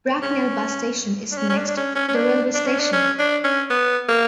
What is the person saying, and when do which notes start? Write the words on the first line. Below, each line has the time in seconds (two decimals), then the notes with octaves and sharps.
Bracknell bus station is next to the railway station.
0.22 C#4
1.32 D4
1.38 C#4
1.50 C#4
1.58 D4
1.68 D4
1.77 C#4
1.96 C#4
2.09 C#4
2.15 D4
2.54 D4
2.67 C#4
2.80 D4
2.93 C#4
3.19 D4
3.44 C#4
3.70 B3
4.08 A#3